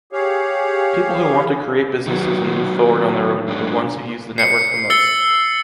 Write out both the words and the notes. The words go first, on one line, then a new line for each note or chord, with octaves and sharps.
People who want to create businesses and move forward on their own are the ones who use the network the most.
G4 G#4 C#5 F5
D#3 F#3 B3
G#2 D4
C7 C#7
E6 A6 C#7 G7